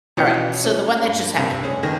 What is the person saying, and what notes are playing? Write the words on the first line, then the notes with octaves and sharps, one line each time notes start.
Alright, so the one that just happened.
B2 E3 F3 C#4 D#5 C#7
A#2 C#4
G2
C2 G2 C3
F1 C#4 G#4
G1 D#3 A#6